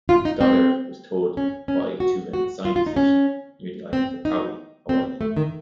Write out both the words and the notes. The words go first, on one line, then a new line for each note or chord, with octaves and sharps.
"Stoddard" was towed by to an assigned position near the island of Kauai, Hawaii.
F4
D#4
C4
C#4
C#4
F#4
F#4
F4
F4
D#4
C#4
C4
D#4
C4
A3
D#3